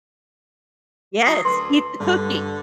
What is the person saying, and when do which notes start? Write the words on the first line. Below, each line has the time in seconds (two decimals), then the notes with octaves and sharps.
Yes, eat the cookie.
1.26 F#3 D#6 C7
1.45 D2 B4 C6
2.00 G2 D3